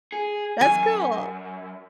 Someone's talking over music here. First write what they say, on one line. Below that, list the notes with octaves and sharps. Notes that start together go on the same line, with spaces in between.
That's cool.
G#4
F#2 G#5